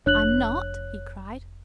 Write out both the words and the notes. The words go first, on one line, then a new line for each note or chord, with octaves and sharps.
"I'm not?" he cried.
F1 D4 C#5 F#6 F#7